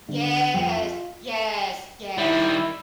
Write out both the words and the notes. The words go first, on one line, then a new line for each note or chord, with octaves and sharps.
Yes. Yes, yes.
D3
F2
F4
D#3 G3 E4